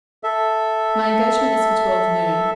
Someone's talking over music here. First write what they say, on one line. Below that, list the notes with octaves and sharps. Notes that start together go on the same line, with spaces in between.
My engagement is for twelve noon.
A4 E5